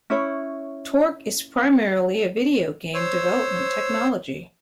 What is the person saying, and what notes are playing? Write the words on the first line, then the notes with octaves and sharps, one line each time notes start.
Torque is primarily a video game development technology.
C#4 E4 C#5
C5 C#5 E6